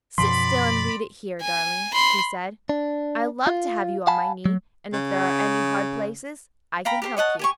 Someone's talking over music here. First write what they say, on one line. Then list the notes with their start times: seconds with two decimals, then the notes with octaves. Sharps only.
"Sit still and read it here, darling," he said, "I love to have you on my knee, and if there are any hard places I can help you."
0.18 F#2 B2 F3 D5 B5 C6
1.41 G#5
1.93 B5 C6
2.69 D4
3.47 F4
4.07 F5 F#5 G#5 A5 B5
4.46 F#3
4.93 C#3
6.85 F5 G5 A#5 B5
7.02 G4 A#4 C5
7.17 C#5 D#5 F#5 A5
7.39 G4 G#5 C#6